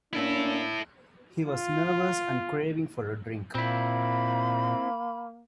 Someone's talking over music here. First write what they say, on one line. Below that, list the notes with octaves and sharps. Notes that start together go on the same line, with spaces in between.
He was nervous and craving for a drink.
A#3 C#4 D4 E4 A4
F4
A#2 A#3 C4 E4 B5